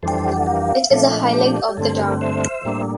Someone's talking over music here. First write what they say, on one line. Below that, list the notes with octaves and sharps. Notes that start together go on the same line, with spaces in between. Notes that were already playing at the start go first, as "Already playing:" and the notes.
It is a highlight of the town.
F2 E3 G3 D4 A4 C5
G4
A4
G4 A#4
A#2 F3 A3 D4 A4
G4
G4
G2 D3 A3 C4 A4
G4 A#4
C5 E5
A2 G3 A#3 D4